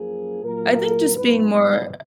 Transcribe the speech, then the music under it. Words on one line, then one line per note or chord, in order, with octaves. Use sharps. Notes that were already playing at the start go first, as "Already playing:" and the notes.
I think just being more
Already playing: F#2 F3 A#3 G#4
A#2 F#3 A#3 A#4
G#2 F#3 B3 B4
B4